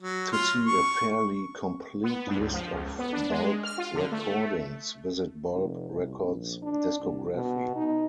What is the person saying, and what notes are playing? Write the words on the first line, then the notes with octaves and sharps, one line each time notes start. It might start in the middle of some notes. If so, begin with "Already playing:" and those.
To see a fairly complete list of Bulb recordings, visit Bulb Records discography.
F#3
F4
C#6
B3
G2
C#2
F3
C#2
B3
D4
G#3
F6
F4
D3
A3
F1
C2
A#1
D4
C2
B2
D#4